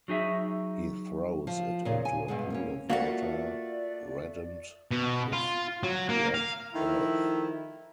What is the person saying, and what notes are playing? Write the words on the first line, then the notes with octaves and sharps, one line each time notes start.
He throws it into a pool of water reddened with red earth.
F#3 D#4 G#4 E5
F3
A#2 C#3
G#5
G2 B2 D3 G#3
A#3 B3 C#4
A3 A#3 F4 F#4 D5 F5 F#5
B2
F4
F#3
A#3
F5
D#3 F3 A3 E4